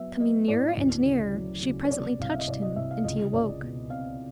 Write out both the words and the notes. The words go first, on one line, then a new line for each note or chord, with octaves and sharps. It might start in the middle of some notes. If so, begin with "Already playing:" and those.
Coming nearer and nearer she presently touched him and he awoke.
Already playing: F#3 B3 E5
B3 D#5
A2 D5
D2
C#3
F#3
C#3
C#5
C3 D5
C2 F5
E5
D#5
C2 D5
D#5
C2 E5
F5
C#2 D#5
C#2 D5
B2
C4 F5